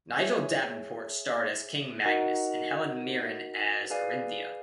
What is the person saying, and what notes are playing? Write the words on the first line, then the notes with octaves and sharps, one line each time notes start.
Nigel Davenport starred as King Magnus and Helen Mirren as Orinthia.
G#4 C#5 E5 G#5
D#4 F#4 A#4 D#5 F#5
G#4 B4 D5 F5 G#5